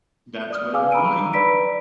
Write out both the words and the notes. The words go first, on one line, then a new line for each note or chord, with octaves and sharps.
That's where I'm going.
D5 D#6 F6
G#4 B4 F5 G#5 D6 E6
A#5 B5 E6 D7 D#7
B4 D5 B5 B6 D7